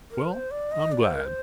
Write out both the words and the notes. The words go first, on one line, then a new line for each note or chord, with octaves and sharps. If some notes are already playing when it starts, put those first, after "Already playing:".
Well, I am glad.
A#4
C5
D5
D#5
D5
C5
A#4
C5